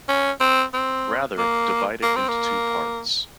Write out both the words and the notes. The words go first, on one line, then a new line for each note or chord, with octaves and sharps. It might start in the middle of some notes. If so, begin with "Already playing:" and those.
Rather, divide it into two parts.
C#4
C4
C4
A#3
A#3
C4
A#3